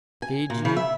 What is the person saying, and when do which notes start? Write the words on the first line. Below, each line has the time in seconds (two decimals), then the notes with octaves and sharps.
Feed you?
0.22 G#5
0.50 A#2
0.65 C#3
0.76 E5